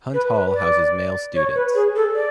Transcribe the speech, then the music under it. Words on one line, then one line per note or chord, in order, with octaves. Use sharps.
Hunt Hall houses male students.
B4
B4
D5
C#5
B4
G#4
A4
D5